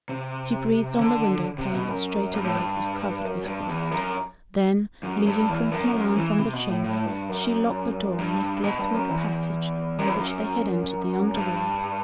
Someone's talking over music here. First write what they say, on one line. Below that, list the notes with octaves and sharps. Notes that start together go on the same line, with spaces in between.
She breathed on the window-pane, and straightway it was covered with frost; then, leading Prince Milan from the chamber, she locked the door, and they fled through the passage by which they had entered the Underworld.
C3
D3
C3
B2
F#2
G2
A2
G2
F#2
G2
E2
F#2
F#2
G2
E2
F#2
F#2
E3
C3
B2
A2
A2
G2
F#2
G2
B2
G2
F#2
E2
F#2
E2
F#2
G2